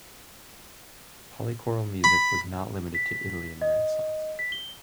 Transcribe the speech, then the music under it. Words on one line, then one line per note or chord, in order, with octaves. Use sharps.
Polychoral music was not limited to Italy in the Renaissance.
B5
B6
D#5
B6
G7